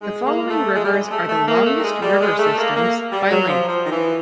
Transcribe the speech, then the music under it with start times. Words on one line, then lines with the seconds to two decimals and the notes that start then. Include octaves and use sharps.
The following rivers are the longest river systems, by length.
0.02 G#3
0.26 A#3
0.50 A3
0.75 G#3
0.85 G3
0.93 G#3
1.11 A3
1.29 A3
1.48 A#3
1.66 A3
1.79 G3
1.84 G#3
2.02 G3
2.21 G#3
2.39 A3
2.58 A#3
2.76 A#3
3.12 G3
3.31 F#3
3.49 F3
3.68 F3
3.86 D#3
3.92 E3